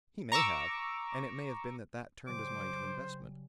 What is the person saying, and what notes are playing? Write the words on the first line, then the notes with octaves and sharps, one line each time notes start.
He may have, and it may have been that that turned his mind to investment.
A#5 C#6 D6 E6
C#3 F#3 G3 C5 D6